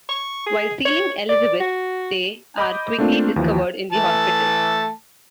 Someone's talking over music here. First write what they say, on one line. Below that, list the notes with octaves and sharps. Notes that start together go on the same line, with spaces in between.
While stealing Elizabeth, they are quickly discovered in the hospital.
C#6
G#4
C#5
D5
F#4
D#5 B5 D6 G6
A3 A#3 C4 D4 F4
D#2 E3 F3
E3 A3 A5